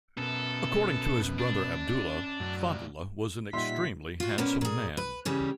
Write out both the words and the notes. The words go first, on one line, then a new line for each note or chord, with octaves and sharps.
According to his brother Abdullah, Fadl was an extremely handsome man.
B2 C#4 A4 A#4
D4
F#2 A2 D5
A#2 G3 D#4 E5 F#5 C6 B6
F4 F#4
A#2 A#3 B3 C#4
A#2 G#4
B4
C#3 E3 G3 C#4